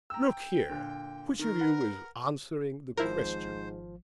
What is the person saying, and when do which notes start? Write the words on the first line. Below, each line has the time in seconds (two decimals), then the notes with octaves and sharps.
"Look here, which of you is answering the question?"
0.10 G5 A#5 E6
0.70 A#2 D3
1.39 D#3 A#4
1.60 B4 F#5
2.97 G#1 G#2 F3 E4 A#4 C5